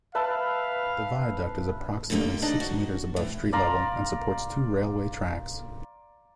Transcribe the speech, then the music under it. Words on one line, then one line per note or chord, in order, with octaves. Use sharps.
The viaduct is approximately six metres above street level and supports two railway tracks.
B4 E5 F5 A5
D3 D#3 A3 A#3 G4
D4 D#4 D5 D#5
F#4
A2 E3
D5 F5 A#5 C6